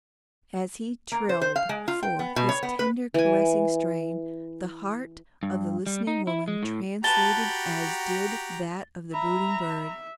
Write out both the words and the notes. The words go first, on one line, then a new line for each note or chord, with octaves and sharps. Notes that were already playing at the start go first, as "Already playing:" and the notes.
As he trilled forth his tender caressing strain, the heart of the listening woman translated as did that of the brooding bird.
A#3
C5
C5
F5
G#3
F4
G5
B3
B2
C#5
B3
B4
E3 G#5
G2
G3
D#4
E4
G#3
A2
F#4 G4 B4 A5 A#5 A6 G7
E5 A#5 B5